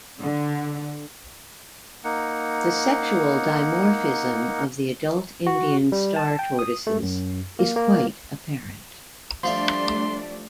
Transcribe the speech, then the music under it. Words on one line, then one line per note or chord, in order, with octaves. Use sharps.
The sexual dimorphism of adult Indian star tortoises is quite apparent.
D3
A#3 D#4 F#5
F#4
G3
A5
G5
D#6
A3
F#2
A#3
A#3
F3 G3 A3 D4 F4 E5 C6